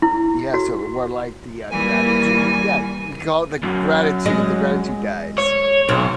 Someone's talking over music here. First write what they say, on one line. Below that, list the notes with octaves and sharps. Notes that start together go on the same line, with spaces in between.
Yeah, so we're like the, uh, gratitude yeah. We call it the gratitude the gratitude guys.
E4
F#4
E3 G3 A#3 G#5
F#2
G#3 D#5
C#5
B1 C4